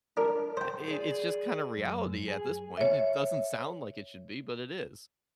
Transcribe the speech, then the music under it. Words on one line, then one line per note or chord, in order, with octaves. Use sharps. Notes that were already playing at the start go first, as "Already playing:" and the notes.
Well eh it it's just kind of reality at this point. It doesn't sound like it should be, but it is.
D4 A#4
C5 G5
G#4 D5
F#2
G#4
C#5 E5